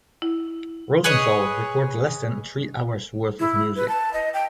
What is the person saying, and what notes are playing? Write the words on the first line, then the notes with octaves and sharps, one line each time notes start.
Rosenthal recorded less than three hours' worth of music.
E4
G#4 B4 C#5 D#5
E4
B4
A5
D#5
G5